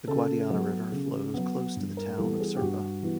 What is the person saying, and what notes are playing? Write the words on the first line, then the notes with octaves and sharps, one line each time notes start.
The Guadiana River flows close to the town of Serpa.
C#3 A4
F#3 B3
C#3
F#3 B3
G2
A#4
E3 G3 B3 A4
A4
G#4
G4
G2 F#4
E3 G3 B3